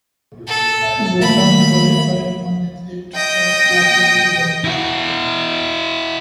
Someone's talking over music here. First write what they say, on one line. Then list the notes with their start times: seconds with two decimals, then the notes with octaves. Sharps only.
Bhutan qualified one athlete for Archery event.
0.47 A4
1.21 D#3 A3 A#3 B5
3.15 D#5 G5
4.64 E4 F#4